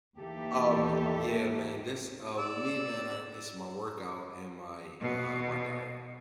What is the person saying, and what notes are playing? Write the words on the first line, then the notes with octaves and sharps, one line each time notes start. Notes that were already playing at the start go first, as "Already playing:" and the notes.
Um, yeah, man. This, uh, with me, man, I it's my workout and my, uh, my diet.
D#2 E3 A#3 G4 A4 E5
D5 E6
B2